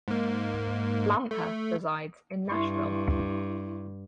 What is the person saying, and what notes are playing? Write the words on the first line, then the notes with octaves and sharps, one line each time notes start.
Lampa resides in Nashville.
G#2 A#3
A3
G2 E4 C6 C#6